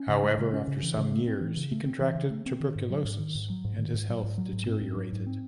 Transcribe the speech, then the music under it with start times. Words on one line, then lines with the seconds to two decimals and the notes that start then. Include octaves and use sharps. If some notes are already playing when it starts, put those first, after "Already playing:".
However after some years he contracted tuberculosis and his health deteriorated.
Already playing: C#4
0.09 C#3
0.23 G#3
0.38 C#3
0.53 C#4
0.68 C#3
0.83 E3
0.97 C#3
1.12 A3
1.27 C4
1.41 E3
1.57 C#3
1.71 A3
1.86 C4
2.00 E3
2.15 C#3
2.30 A3
2.46 C4
2.60 D#3
2.76 G#2
2.90 F#3
3.05 G#2
3.19 D#3
3.35 G#2
3.50 F#3
3.64 G#2
3.78 D#3
3.94 G#2
4.09 F#3
4.23 G#2
4.38 F#3
4.53 G#2
4.67 C4
4.82 G#2
4.97 F#3
5.13 G#2
5.26 C4